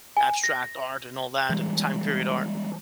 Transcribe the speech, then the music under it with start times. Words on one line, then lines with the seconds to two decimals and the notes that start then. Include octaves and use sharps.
abstract art and all that and time period art.
0.17 G#5
0.44 A#6
1.49 E3 G3 G#3